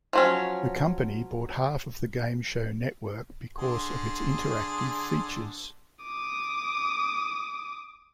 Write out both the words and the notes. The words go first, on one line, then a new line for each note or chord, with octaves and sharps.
The company bought half of the Game Show Network because of its interactive features.
F3 F#3 C#4
D3 G#4 C6
D6 D#6